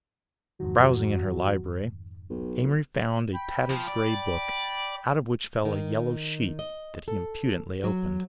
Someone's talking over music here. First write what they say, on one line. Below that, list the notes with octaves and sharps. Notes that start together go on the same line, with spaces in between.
Browsing in her library, Amory found a tattered gray book out of which fell a yellow sheet that he impudently opened.
F2 G#2 D#3 F#3
B1
G5 B5
F3
D5
D#3
D#5
A4
F#3